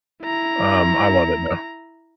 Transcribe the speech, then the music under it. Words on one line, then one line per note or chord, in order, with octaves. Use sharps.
Um, I love it though.
E4 A#5